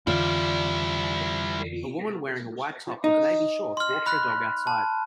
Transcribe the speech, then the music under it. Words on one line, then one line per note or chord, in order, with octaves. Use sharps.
A woman wearing a white top with navy shorts walks her dog outside.
F2 D3 E3 G3 E4 F4 D5
D#4
C6 F6
B5 F#6
A5